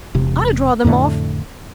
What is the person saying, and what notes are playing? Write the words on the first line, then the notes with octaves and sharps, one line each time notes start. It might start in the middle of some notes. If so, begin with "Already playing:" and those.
I'll draw them off!
E1 C3
F2 A2 D3 A3